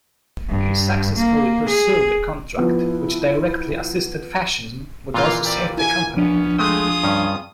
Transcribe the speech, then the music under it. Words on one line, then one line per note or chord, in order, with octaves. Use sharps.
He successfully pursued the contract, which directly assisted fascism but also saved the company.
G2
A#3
G#4
F3 B3 E4
A#2 E3 A#3 F4
C4 G4 D5
E4 G#5
C2 F3 B3 C#4 D4
G#3 A3 F4 G#4 G5 D#6
G2 C#4